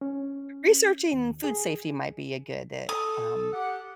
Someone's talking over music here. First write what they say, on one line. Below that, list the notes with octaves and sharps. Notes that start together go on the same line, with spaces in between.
researching food safety might be a good, eh, um,
C#4
D#2
G#4
A4 D#6
G4 F#5